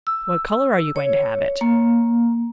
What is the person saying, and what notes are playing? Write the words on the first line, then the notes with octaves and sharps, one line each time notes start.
"What color are you going to have it?"
E6
C#5
A#3